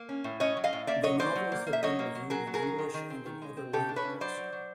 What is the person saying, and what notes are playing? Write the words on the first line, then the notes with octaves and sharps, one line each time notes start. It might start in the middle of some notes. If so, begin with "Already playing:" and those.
The novels have been reviewed in English and in other languages.
Already playing: A#3
C#4
A2
C#4 C#5 D#5
F#3
D#5 F5
A2
A#3 D5 E5
F#3 C#5 D#5
A#3 C5 D5
F#3
A#3
A#3
E5
F#3 C#5 D#5
A#3
F#3
F#3 G#4 A#4
F#3
G#4 A#4
F#3
D#3
D#3
C4
D#3
G#3
C4
C#3 G4 A4
D4
B4 C#5
C#3
F#3 C5 D5
F#3
F#3